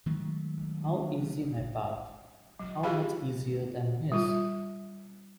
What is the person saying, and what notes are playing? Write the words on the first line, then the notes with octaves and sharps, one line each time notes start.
How easy my path, how much easier than his!
D#3 F#3 G#3 A3
F#3
F4 G4 G#4 F5 B5
G3 F4